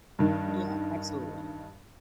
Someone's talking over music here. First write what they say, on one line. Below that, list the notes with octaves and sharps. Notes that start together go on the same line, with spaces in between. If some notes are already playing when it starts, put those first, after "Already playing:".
Yeah, absolutely.
G2 D#3